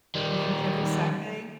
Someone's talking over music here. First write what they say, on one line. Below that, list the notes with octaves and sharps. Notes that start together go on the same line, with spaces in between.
maybe every Saturday
D#3 G3